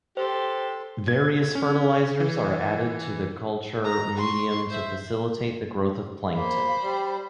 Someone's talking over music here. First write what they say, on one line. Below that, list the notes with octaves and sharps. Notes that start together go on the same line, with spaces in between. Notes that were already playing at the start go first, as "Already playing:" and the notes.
Various fertilizers are added to the culture medium to facilitate the growth of plankton.
G4 A4 C5 C6
G#6
C#4
E3
A#5
C6 C#6
C5 E5
A#3 C5 B5
G3